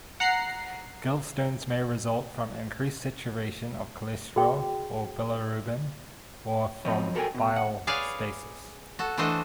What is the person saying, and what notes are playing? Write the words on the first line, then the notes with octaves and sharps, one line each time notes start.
Gallstones may result from increased saturation of cholesterol or bilirubin, or from bile stasis.
F#5 A#5 C7
F#4 G#4 G5
F#2 F3 C4 C#5 D#5
F#4 A4 A#4 D5 G5 G#5
B2
F#5
G#4 B4 C#5 D5 F5 G#5
F#4 A4
E3 A3 D4 A4 C5 D#5